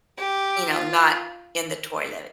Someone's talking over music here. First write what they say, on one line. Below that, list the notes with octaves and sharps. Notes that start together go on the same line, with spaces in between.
you know, not in the toilet.
G4
F4